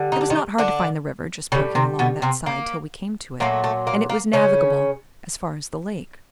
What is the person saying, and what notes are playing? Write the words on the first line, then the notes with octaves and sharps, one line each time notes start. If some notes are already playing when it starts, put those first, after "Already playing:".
It was not hard to find the river, just poking along that side till we came to it, and it was navigable as far as the lake.
Already playing: D3 G3
D#4
D4
D#3 D#4
D3 D4
A2 C#3 G3 C#4
C3 C4
B2 B3
C3 C4
A#3
A#2 F#3 A3 A#3
A3
A#3
A#3
C#3 C#4